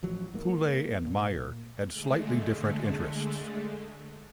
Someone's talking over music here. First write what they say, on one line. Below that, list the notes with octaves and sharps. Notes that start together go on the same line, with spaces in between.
Pulay and Meyer had slightly different interests.
A1 F3 F#3
G#2 A#3
A#2
D3 G#3 A3